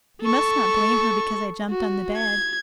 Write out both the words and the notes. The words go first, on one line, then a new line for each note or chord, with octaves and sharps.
You must not blame her because I jumped on the bed.
A4 C#6
F#4
G#6